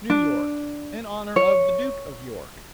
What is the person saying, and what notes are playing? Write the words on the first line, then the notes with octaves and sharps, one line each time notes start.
New York--In honor of the Duke of York.
D4
C#5